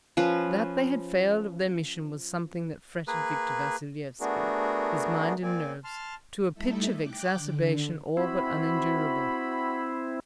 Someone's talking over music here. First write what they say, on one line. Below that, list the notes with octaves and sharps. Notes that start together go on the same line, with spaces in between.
That they had failed of their mission was something that fretted Victor Vassilyevski, his mind and nerves, to a pitch of exacerbation all but unendurable.
F3 C#4 B4
A#3 G#4 B4
A3 B3 D4 F#4 G#4 A#4
A#3 C4 D5 G#5
A5 C6 F6
G3 A3 D#4 E4 A4 E5
G5 D6 F#6
D3
C4 E4 F#4 B5